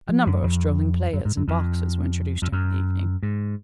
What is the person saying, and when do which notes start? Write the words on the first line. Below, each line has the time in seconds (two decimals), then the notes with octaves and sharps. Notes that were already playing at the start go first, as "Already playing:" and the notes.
A number of strolling players and boxers were introduced during the evening.
0.09 F3
0.27 F#2
0.43 F2
1.13 F#2
1.25 G#2
1.37 F#2
1.48 F2
2.42 F2
2.52 F#2
3.23 G#2